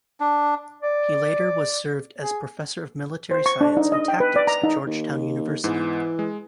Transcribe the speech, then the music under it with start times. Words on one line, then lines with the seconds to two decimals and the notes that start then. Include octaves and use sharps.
He later was served as professor of military science and tactics at Georgetown University.
0.20 D4
0.83 D5
2.20 G#4
3.31 C5
3.46 C#6
3.61 D4
3.77 D#4
3.92 D#5
4.08 G5
4.20 B4
4.36 D5
4.47 A#5
4.63 D#4
4.87 D#2
5.64 G#2 E3 G#3 B3
6.19 G#3